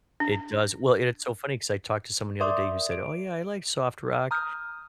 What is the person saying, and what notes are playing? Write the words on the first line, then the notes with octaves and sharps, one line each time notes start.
It does. Well, it it's so funny 'cause I talked to someone the other day who said, "Oh, yeah. I like soft rock",
D4
A#4 D5 E5 C6 D6 D#6
D7
A#5 D#6 F6 G6